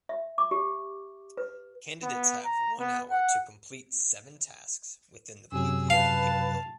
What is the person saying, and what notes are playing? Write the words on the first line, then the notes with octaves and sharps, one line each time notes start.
Candidates have one hour to complete seven tasks within the Blue Heron Paper Mill.
E5
D6
G4
B4
B3
A#5
B3
F#5
F#2 C3 F#3 G#4 E6
B4 F5 A5